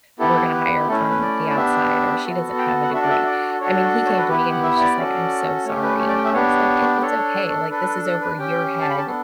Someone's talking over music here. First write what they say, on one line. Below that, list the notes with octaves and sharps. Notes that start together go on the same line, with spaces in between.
we're gonna hire from the outside," or, "She doesn't have a degree," I mean, he came to me, and he was just like, "I'm so sorry," And it was like, "It it's okay, like, this is over your head,
B3 E4 G4 A4
B4
A3 C#4 E4 A4
B4
D5
D5
B3 D4 G4 E5
B3 F#4 A4
G5
A5
F#5
D4 F#4 A4 E5
D5
E5
D5
D4 F#4 A4 C#5
C#5
B4
B3 E4 G4 B4
B4
F#5
E5
D5
C#4 F#4 A4
A3 C#4 G4 C#5
B4
C#5
D5
G5
E5
B3 D4 G4 C#5
D4 A4 C#5
D4 A4 B4
A4
B4
C#4 G4 G5
A5
B5
A5
B3 D4 A4